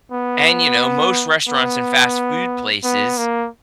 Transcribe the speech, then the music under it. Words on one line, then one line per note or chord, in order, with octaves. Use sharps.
and, you know, most restaurants and fast food places
B3
B3
B3
A#3